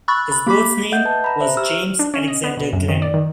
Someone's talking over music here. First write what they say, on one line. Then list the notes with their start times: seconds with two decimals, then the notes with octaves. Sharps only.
His birth name was James Alexander Glenn.
0.08 B5 C#6 E6 F#6 A6
0.32 B5
0.47 A#3 G4 B5 D6 B6
0.92 D#5 E5 F#5 G6
1.05 B4 A5
1.24 A#5 B5
1.41 C5 E5
1.57 G4 E6 F6
1.99 D4
2.14 C#4
2.28 D#5
2.44 B3
2.57 B2
2.73 F#2
2.88 D#3
3.02 D5
3.14 D#3